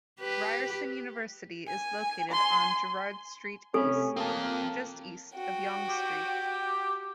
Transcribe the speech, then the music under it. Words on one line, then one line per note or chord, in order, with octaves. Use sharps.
Ryerson University is located on Gerrard Street East just east of Yonge Street.
G4 B4
G#5
G#5 C6
C3 A3 C#4 A4 B5
A#3 C4 A5 D#6
F#4 G5
G4